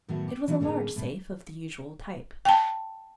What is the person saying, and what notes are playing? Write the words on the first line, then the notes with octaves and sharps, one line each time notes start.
It was a large safe of the usual type.
A2 D#3 F#3 A3 B3 F#4
G4
E3 F#3 G3 A3 C4 D4
A2 D3 A#3 C#4 G#4
A2 C3 G3
G5 A5